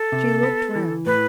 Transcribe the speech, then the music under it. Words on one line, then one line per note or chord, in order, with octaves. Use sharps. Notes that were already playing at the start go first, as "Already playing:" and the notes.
She looked round.
Already playing: A4
C3
B3
E3
A2 B4